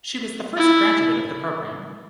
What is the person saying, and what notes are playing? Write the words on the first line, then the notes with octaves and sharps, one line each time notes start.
She was the first graduate of the program.
E4